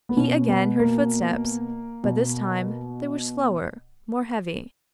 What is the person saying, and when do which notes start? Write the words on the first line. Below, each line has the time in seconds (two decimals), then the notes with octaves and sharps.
He again heard footsteps, but this time they were slower, more heavy.
0.09 B3
0.17 B2 C#4
0.48 B3
0.79 A#3
2.04 B2